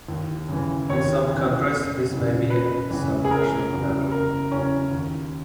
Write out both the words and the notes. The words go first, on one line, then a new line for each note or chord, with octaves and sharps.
In some countries this may be at a subnational level.
D#2
C#3 E3
D#2 C#5
C#3 E3
F#1
E2 C#3 E3
F#1 B4
E2 C#3 E3
G#4
F#1 A#4
E2 C#3 F#3
F#1 A#4
E2 C#3 F#3 C#4
D#2